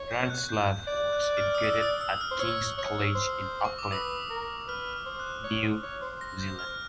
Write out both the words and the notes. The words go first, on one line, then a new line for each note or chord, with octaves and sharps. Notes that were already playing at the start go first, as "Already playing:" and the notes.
Retzlaff was educated at King's College in Auckland, New Zealand.
Already playing: C#5
G6
F#6
G6
G6
D5 G6
F#6
F6
D#6
E6
D#6
E6
F6
C5
C#5 E6
C#5
C5
C#6
D6
B4 D#6
A#4
B4 F6
F6
C5
F#6
C#5
C5
C#5
C5
A#6
G6
F6